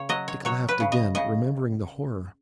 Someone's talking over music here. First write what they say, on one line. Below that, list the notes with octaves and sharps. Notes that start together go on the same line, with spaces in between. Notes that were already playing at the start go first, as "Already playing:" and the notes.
Dick laughed again, remembering the horror.
Already playing: C#3 C#5
F#3 D#5
C#5
F#3 C#5
B4
C#3
D#5
C#3 D#5